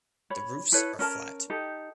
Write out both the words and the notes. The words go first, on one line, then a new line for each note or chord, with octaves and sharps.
The roofs are flat.
C#5 B5
E4 A4 B4 C#5
C#4 A#4 A5
D#4 G4 A4